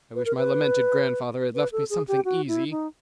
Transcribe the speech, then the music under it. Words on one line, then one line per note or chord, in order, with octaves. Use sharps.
I wish my lamented grandfather had left me something easy.
B4
A#4
B4
B4
A4
G#4
G4
F#4
E4
D#4